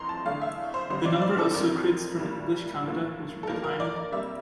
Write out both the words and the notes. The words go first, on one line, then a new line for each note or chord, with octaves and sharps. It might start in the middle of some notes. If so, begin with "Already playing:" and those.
The number of Socreds from English Canada was declining.
Already playing: F2 E3 A3 C4 A#5 C6
A5
E2 D3 A3 F5
E5
C5
F2 D3 G3 C4 C5
D5
C5
D5
A4
F2 C3 F3 C4 A#4
A2 G3 A#3
A2 F3 A#3
A4
G2 F3 A#3 A#4
A#4
D5
D5
C3 G3 A#3 E5